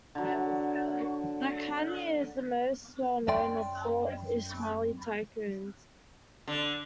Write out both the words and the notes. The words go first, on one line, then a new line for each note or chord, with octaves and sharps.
Lakhani, is the most well-known of all Ismaeli tycoons.
D3 F#3
F#2 D5 G5 C6
D3